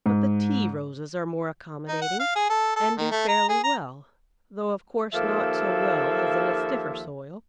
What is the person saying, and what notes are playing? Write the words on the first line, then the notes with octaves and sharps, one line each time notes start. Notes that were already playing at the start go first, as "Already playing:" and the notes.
But the Tea Roses are more accommodating, and do fairly well, though, of course, not so well as in a stiffer soil.
G#2
D#4
F#5
F5
G#4
A4
A4
D#3
A3
A#5
G#4
A#5
D#2 F3 A#3 A4 E5